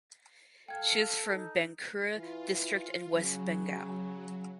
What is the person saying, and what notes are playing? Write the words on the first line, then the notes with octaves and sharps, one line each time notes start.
She is from Bankura district in West Bengal.
A4 F5 G5 G#6
D#4
E3 F4
C#3 F#3